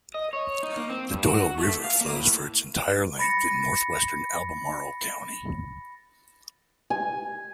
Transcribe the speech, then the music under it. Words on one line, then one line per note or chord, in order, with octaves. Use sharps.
The Doyles River flows for its entire length in northwestern Albemarle County.
D#5
C#5
D#4
A#3
C4
G2
F#4
A3
F5
A#3
A2
B5 A6 A#6 C#7
G#5